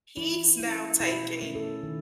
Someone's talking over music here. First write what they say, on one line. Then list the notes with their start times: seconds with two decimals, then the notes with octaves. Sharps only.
He's now taking
0.17 E3 E4
0.59 A3 C#4 E4
1.00 B2 E4
1.42 A3 C#4
1.55 A4
1.83 D#3